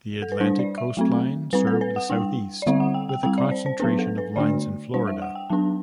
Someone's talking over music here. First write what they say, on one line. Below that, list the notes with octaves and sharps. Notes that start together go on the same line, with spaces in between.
The Atlantic Coast Line served the Southeast, with a concentration of lines in Florida.
A4
B4
G3 D4 C5
D5
E5
F#3 A3 C4
G3 C4 B4
A4
B4
F#5
G3 D4 G5
D5
D3 G3 C4 E5
F#5
G5
G5
G3 C4 G5
D5
C5
C5
F#3 B3 D4 B4
A4
B4
D3 A3 D4 D5
G3 D4 C5
E5
F#5
G5
F#3 B3 D4 A5